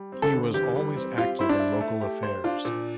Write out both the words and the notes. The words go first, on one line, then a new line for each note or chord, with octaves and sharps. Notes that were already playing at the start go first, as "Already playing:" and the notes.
He was always active in local affairs.
Already playing: G3
C4
A4
D3
E2 G4
G3
C4
F4 G4
E4 C5
D4
E4
A3
G4
C5
D4 F4
A#2